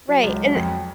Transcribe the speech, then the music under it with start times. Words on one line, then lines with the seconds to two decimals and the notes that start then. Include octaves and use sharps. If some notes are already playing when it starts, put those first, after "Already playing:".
Right, and
0.08 F#3
0.23 C#2
0.40 F#3
0.55 F2